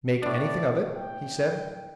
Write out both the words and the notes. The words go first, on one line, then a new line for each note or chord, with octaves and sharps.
"Make anything of it?" he said.
A2 D4 D5
G5